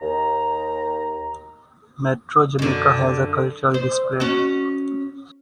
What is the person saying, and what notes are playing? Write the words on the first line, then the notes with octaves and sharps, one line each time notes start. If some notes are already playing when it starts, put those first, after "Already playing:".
Metro Jamaica has a cultural display.
D#2 D#3 A#5
F#2 D3
C5
C#4 F#4